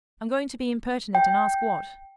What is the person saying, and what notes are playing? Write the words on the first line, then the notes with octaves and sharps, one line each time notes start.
I'm going to be impertinent and ask what.
G5